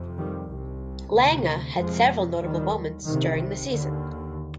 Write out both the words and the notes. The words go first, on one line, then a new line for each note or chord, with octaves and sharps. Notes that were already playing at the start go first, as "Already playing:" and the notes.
Lange had several notable moments during the season.
Already playing: F2 C3
D#3 G3
C2 C3
D2 C3
F2 C3 F3 G#3
D#2 D#3 G3
C2 C3 D#3
D#2 D3